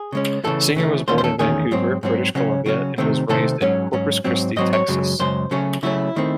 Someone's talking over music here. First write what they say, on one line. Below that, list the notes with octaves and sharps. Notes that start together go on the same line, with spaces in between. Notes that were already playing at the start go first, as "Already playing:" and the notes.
Singer was born in Vancouver, British Columbia and was raised in Corpus Christi, Texas.
Already playing: G#4
C#3 G#3 C#4
C#3 E3 A3 A4
C#3 E3 A3
E2 D#3 A3 C#4 C5
C5
A4
E2 D#3 A3 C#4 G#4
G#2 F#3 C4
G#2 F#3 C4
C#3 F#3 C#4
C#3 F#3 C#4 F#4
C3 D#3 A3 C4
C3 D#3 A3 C4 A4
G#2 F#3 C#4
G#2 F#3 C#4
G#2 F#3 C4
G#2 F#3 C4 D#5
C#5
F#2 C#3 G#3
F#2 C#3 G#3 C5
C#3 F#3 A3 C#4
C#3 F#3 A3 C#4 E4
D#3 A3 C4